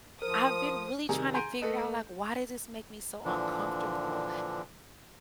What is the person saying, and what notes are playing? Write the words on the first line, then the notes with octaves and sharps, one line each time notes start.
I've been really trying to figure out, like, why does this make me so uncomfortable
F3 A#4 C5 D#6
C3 D#3 G3 G#4 A#5
G#5 A#5 C6 G6 D7 D#7
A3 A4 B4 D#5
A#2 D3 E3 F3 D4